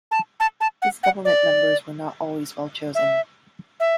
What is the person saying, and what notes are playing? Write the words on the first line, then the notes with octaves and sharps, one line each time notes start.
His government members were not always well-chosen.
A5
A5
A5
F#5
F#5
D5
E5
E5